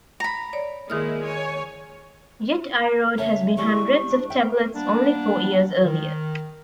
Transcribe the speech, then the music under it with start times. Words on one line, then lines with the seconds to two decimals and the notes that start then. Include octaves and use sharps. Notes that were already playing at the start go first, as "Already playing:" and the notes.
Yet Eyraud had seen hundreds of tablets only four years earlier.
0.20 A#5 B5
0.53 C#5 D5
0.90 D#3 G#3 A#3 E4 D#6 F6
1.23 C#5 G#5
3.18 C#3 C#5 E5 A5
3.57 G3 G#3 E4 C#6
4.11 D4
4.30 E5 G5
4.74 G3 A#3 B3 D4
5.84 D#3